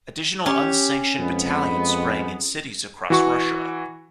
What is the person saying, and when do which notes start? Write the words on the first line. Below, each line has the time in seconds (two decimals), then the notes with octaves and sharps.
Additional unsanctioned battalions sprang in cities across Russia.
0.46 C#4 G4
1.19 F2 G#3 B3
3.10 E3 F#4 C#6